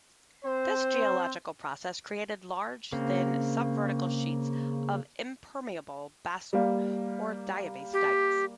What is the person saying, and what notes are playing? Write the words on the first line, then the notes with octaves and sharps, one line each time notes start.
This geological process created large, thin, subvertical sheets of impermeable basalt, or diabase dikes.
C4 C5
C#3 A#3 C4
G3 A#3
G4